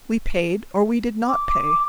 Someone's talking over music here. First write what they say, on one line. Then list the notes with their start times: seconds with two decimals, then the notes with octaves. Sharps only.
We paid or we did not pay.
1.28 D6